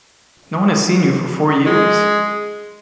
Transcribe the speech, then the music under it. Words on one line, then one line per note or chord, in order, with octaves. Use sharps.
No one has seen you for four years.
G#3